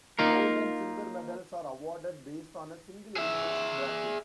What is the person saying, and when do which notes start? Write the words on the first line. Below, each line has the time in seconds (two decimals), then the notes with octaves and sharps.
Gold and silver medals are awarded based on a single elimination bracket.
0.19 A#3 D#4 F4 A#4
3.16 G#4 E5